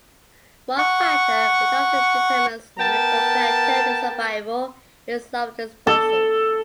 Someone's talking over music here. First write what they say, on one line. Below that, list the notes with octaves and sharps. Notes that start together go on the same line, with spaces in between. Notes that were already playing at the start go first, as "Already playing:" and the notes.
One factor which often determines meroplankton survival is larval dispersal.
F#5 C#6
B3 A#4 G5 A5
A4